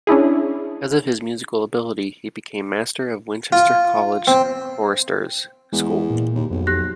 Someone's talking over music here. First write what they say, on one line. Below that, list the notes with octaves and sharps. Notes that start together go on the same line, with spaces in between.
Because of his musical ability, he became master of Winchester College Choristers' School.
C#4 D4 E4 G#4
F4
C4
E2 G#3
A#2
D#2
B1 F2
G4 F#6 A#6